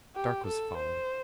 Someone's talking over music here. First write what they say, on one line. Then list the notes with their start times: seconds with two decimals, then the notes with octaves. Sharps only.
Dark was falling.
0.16 G4
0.46 A4
0.76 C5